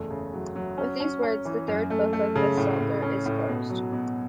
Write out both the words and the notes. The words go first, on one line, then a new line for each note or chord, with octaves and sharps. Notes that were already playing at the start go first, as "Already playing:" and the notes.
With these words, the third book of the Psalter is closed.
Already playing: F#1 E2 A3
C#3
F#3
F#3
C#4
C#4
C#4
E3
F#2
A3
A3
C#3
A2
A2
C#4
A2
B2
F#3
B2